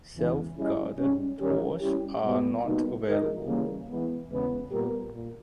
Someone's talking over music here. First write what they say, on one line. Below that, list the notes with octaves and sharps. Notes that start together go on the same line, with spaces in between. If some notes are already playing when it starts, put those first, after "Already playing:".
Self-guided tours are not available.
E2 C#3 E3 G#3
G3 C#4 E4 G#4 D#5
G#2 G3 C#4
D#3 G3 C#4 G4 A#4
G3 C#4 E4 G4
B2 G3 B3
B2 G3 A#3 D#4
G#3 D#4 A#4 D#5
C#3 E3 G3 A#3
E3 G#3 B3
E2 C#3 G#3 B3
A#2 G3 B3 G4 A#4
A#2